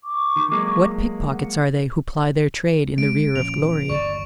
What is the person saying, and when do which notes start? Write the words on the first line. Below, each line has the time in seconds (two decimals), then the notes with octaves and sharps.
What pickpockets are they who ply their trade in the rear of glory?
0.05 C#6 D6
0.36 D#3
0.51 F#3 G#3 A#3
1.33 F#5
2.98 G#3 D7
3.36 A#2 F3 C#4 F7
3.90 G1 D#2 G3 D5 C#6